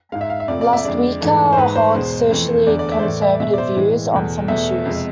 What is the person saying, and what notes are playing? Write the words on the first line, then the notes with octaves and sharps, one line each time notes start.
Lastewka holds socially conservative views on some issues.
G#2 G#3 F5
E5
F5
E5
F2 C3 F3 A3 D5
D5
E5
F2 D3 G#3 D5
G#2 E3 A3
C5
G#2 G#3 B4
C5
E2 B2 G#3
F2 E3 A3
E2 D3 A3 D5
D5
E5
C5
A2 E3 A3 D5
E5
B2 G#3 E5
D5
C5
A2 E3 G#3
E2 B2 A3
E2 B2 A3 E5
F2 C3 G#3